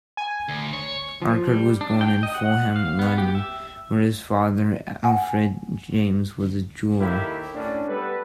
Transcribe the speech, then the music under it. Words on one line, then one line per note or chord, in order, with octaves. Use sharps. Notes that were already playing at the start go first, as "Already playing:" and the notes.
Archard was born in Fulham, London, where his father Alfred James was a jeweller.
G#5
D2
C#5
F3
G3
D4
G5
D#5
F#5
F5
B3
G4
E5
F#5 G#5
D#2 A#3 E4 G4 A4
A2 C#4 D4
G3 B3 A4 B4